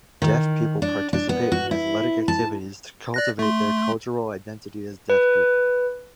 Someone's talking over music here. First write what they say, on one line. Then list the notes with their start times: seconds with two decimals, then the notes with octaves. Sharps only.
Deaf people participate in athletic activities to cultivate their cultural identity as Deaf people.
0.22 D#3
0.82 D4
1.13 D4
1.29 B3
1.52 F#4
1.71 E4
2.28 A5
3.14 D5 F#6 A#6
3.39 A3 C6
5.10 B4